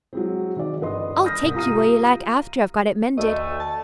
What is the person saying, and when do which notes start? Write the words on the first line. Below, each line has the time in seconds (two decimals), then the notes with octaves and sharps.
I'll take you where you like after I've got it mended.
0.13 F#3 G#3 C4
0.57 D#3 D5
0.81 G1 B4 D#5 C6
1.24 D#6 F6 G6 A#6 B6
1.43 C2
1.55 F4 G4 A#5 D#6 F6 D#7
3.18 D2 A3 D#5
3.60 A5